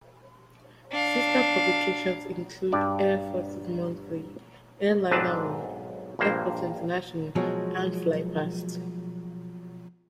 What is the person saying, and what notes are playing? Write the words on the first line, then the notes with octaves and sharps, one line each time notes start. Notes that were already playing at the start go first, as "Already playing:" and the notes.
Sister publications include "Air Forces Monthly", "Airliner World", "Airports International" and "FlyPast".
D4 F5
G2 D5 A5
B1 G#2 C4 D4 B4 A5
A#1 G2 A#3 C5
B2 F3 F#3 G#3